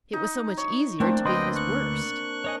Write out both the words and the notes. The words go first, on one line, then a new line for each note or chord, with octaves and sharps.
It was so much easier to be at his worst.
D#4
C#5
A3 A#3 C4 D4 E4
D2 B4 D#5 G5 C6
C#6 F#6
C#5 D#5 G#5